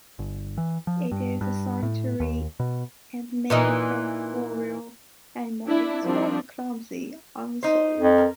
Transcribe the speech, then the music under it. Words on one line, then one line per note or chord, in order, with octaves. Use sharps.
It is a solitary and mainly arboreal animal; it is rather clumsy on the soil.
G1
E3
F3
G2
G2
A2
D#2
B2
A#2 E3 D#4
D4 E4
D#3 F3 G3 C4 D4
D#4 C5
F2
A#4